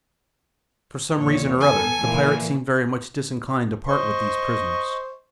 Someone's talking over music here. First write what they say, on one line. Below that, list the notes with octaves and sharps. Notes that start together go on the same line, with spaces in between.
For some reason or other, the pirates seemed very much disinclined to part with these prisoners.
E2 A#2 C#5
B3 A4 G#5
A#2 E3
C5 D#5 C#6